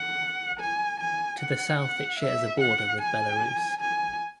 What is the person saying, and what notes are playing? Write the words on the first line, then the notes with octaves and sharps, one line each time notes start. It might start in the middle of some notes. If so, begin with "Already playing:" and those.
To the south it shares a border with Belarus.
Already playing: F#5
G#5
G#5
F#5
F#5
E5
F#5
G#5
G#5